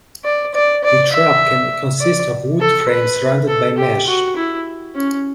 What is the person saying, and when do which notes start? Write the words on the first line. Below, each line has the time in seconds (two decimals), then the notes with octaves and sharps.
The trap can consist of a wood frame surrounded by mesh.
0.24 D5
0.54 D5
0.84 D5
1.13 E5
2.01 D5
2.60 A4
2.89 B4
3.48 A4
3.77 G4
4.07 F#4
4.36 E4
4.95 C#4